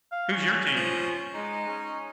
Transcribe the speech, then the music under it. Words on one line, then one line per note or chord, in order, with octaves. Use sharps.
Who's your team?
F5
C#4
F3
G#3 D#4
C#4